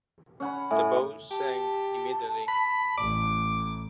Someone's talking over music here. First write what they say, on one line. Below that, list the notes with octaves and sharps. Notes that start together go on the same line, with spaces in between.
The bow sank immediately.
C#4 F#5 B5
A2 E5 G#5
G4 A5
B5
A1 D6